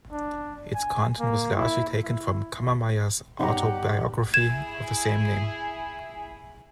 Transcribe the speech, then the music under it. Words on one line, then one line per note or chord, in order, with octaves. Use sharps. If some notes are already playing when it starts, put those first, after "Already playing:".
Its content was largely taken from Cammermeyer's autobiography of the same name.
D4
G#5
A#3
E4
E4
G1 G3 D#4 G4 C#5 F#5 A#5
E4 G#4 G#6 E7